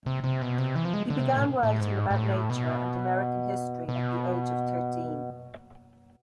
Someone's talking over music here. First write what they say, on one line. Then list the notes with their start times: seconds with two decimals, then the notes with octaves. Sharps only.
He began writing about nature and American history at the age of thirteen.
0.06 C3
0.24 C3
0.42 B2
0.58 C3
0.76 E3
0.85 F3
0.94 G#3
1.10 D3
1.19 C3
1.28 B2
1.36 A2
1.63 A2
1.80 G#2
2.11 G#2
2.15 A2
2.50 B2
3.89 B2